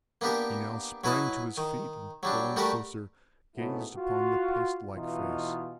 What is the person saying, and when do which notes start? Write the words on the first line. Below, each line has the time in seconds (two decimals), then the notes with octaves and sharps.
He now sprang to his feet and, going closer, gazed upon the pastelike face.
0.21 A#3 B3 D4 G4 A#4
1.04 F#3 E4 B4 D#5 A5
1.58 D#3
2.23 F#3 G3 D4
2.56 G3 A3 F#4 G4 A#4 D5
3.57 G#2 C#3 F#3 A3 B3 E4
3.97 F4 F#4
4.95 B2 E3 D#4 F4